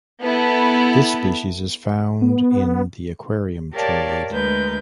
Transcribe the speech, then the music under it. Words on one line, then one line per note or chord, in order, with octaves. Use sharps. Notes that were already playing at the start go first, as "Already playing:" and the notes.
This species is found in the aquarium trade.
B3 E4 A4
B3
G4 A#4 C#5 D5 F5 A5
D2 G#3 A#4 B4 G6